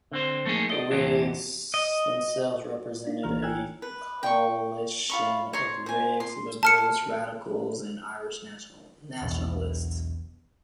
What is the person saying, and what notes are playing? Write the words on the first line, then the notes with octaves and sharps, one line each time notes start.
The Whigs themselves represented a coalition of Whigs, Liberals, Radicals, and Irish nationalists.
D3 C4 C5
F3 A3 A#3 D#4 G#4
D5 D#5
E2 A#2 E3 B3 C4 D4
D#5
D4 D#4
B1 E3 A#3 F4 A#5 F6
G5 G#5 E6 F#6 G#6
B4
G5 C#6
F4 B5 C#6
C#5 A#5 C6
C5 G#5
C6
A5 F6 C#7
E1 B1 E2 B2